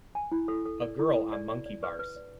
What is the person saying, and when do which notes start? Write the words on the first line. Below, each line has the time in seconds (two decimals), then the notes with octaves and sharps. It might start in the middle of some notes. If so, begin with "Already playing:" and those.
A girl on monkey bars.
0.15 G#5
0.32 E4
0.48 A4
0.65 A4
0.82 D5
0.99 E4
1.16 A4
1.33 D5
1.49 D5
1.66 D5
1.83 B4
1.99 B4
2.16 D5